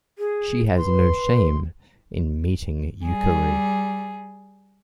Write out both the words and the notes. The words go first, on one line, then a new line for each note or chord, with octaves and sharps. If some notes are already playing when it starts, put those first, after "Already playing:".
She has no shame in meeting Yukari.
G#4
B4 C6
G3 G#4